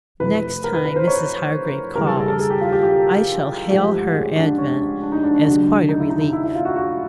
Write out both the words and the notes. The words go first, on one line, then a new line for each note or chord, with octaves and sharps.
Next time Mrs. Hargrave calls I shall hail her advent as quite a relief.
F2 C3 E3 A3 B4
A#4
B4
B4
C5
C#5
D#2 C#3 E3 G3 A#4
A4
G#4
A4
G#4
G4
F4
G4
G4
G#2 F3 A3 G4
G#4
D4
C#4
D4
D#4
D4
D4
D#2 C#3 F#3 A3 D4
D#4
E4
D#4
D#4
E4
E4
F4
F#4
F#4